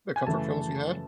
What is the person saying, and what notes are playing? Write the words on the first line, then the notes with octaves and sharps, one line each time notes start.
the comfort films we had.
G#5
F#2 C#3 E3 A3 A5